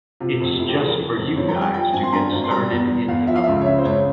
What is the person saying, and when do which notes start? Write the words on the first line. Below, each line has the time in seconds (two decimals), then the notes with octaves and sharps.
It’s just for you guys to get started in development.
0.20 C3 F4
0.41 F1
0.59 F2 E4
0.68 G4
0.78 E3 G#4
0.88 A#4
0.97 E3
1.16 F1
1.36 F2 C#5
1.48 A#5
1.55 G3 G5
1.61 G#5
1.74 F3 G5
1.93 G#1 G#5
2.03 C6
2.13 G2 A#5
2.32 G#1
2.44 C6
2.51 G3 A#5
2.70 E2
2.90 E3
3.08 E2 F5
3.27 F3 E5
3.36 F5
3.43 C#2 E5
3.61 C#5
3.66 C#3 E5
3.78 C5
3.85 C#2 C#5